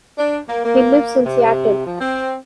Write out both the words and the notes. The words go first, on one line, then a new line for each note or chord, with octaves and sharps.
He lives in Seattle.
D4
A#3
A#3
C3
F3
C4